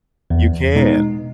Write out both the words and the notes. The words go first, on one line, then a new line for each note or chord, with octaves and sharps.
You can.
E2
B2 G#3 B3 D#4